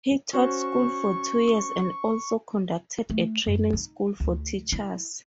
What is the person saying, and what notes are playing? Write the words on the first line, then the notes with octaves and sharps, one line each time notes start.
He taught school for two years and also conducted a training school for teachers.
C#4 F#4 C5 C#6
A3
F#2
D#4
D2
E4